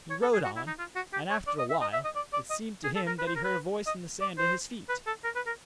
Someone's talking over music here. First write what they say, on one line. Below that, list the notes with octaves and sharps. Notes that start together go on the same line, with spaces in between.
He rode on, and after a while it seemed to him that he heard a voice in the sand at his feet.
C#5
A4
G#4
F#4
E4
D#4
F4
F#4
G4
C#5
D5
D#5
E5
D#5
E5
D#5
D5
D5
D#5
G#4
A4
A#4
B4
C5
A#4
B4
D#5
D5
C5
B4
A4
A#4
B4
A#4